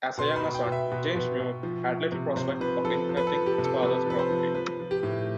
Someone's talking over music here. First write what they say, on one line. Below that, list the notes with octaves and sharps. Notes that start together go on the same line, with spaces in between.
As a younger son James Muir had little prospect of inheriting his father's property.
B2 C6
B5
B2
G5
B2
E5
B2
B2
B2
F3
F3
C3
C3 C5
F3 B4
F3 A4
F3
B4
A4
F3
G4
C3
A4
C3 B4
F3 B4
C5
F3
F3 B4
F3
G4
A2